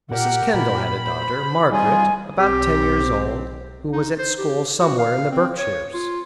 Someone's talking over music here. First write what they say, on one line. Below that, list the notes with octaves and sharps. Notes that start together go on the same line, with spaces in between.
Mrs. Kendall had a daughter, Margaret, about ten years old, who was at school somewhere in the Berkshires.
A#2 G4 A#4 F#5
A#2 B5
C5
F2 G3 D#4 F4 G#4 G#5
B1 C4 G4
D#4
C5
G4
F#4
F5
C4
C#5
F4